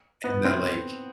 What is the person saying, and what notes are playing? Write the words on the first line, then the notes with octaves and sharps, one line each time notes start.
And that, like,
B3
C4